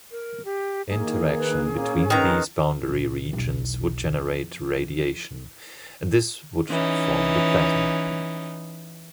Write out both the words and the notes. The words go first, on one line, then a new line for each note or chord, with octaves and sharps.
Interaction between these boundary regions would generate radiation, and this would form the plasma.
A#4
G4
D#3 A#3 G#4
B4
A#2 A#3 C#4
D#3 B4 A#5
A#1
E1 B1
F2
E3 C#4 D#4